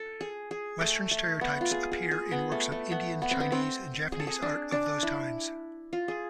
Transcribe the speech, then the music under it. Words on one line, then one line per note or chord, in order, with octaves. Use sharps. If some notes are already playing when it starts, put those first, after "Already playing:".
Western stereotypes appear in works of Indian, Chinese and Japanese art of those times.
Already playing: A4
G#4
G#4
A3
A3
B3
F4
G#4
G#4
G#4
B3
A3
A3
B3
B3
C4
B3
C4
G#4
A4
G#4
D4
D4
E4
F4
G#4